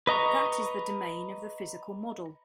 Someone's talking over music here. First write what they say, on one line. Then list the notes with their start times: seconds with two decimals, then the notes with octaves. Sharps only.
That is the domain of the physical model.
0.07 B4 D#5 A#5 C#6